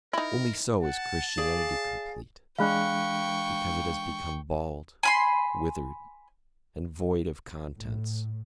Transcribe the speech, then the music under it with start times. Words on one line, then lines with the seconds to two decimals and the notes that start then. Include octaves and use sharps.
Only so is Christianity complete, because it has become bald, withered, and void of contents.
0.13 D#4 E4 A#4
0.81 F#5 A5
1.37 G#4 D5 F5
2.59 E3 G#3 D4 F5 G5 B5 C#6 F#6
5.03 G#5 B5 C6
7.75 A2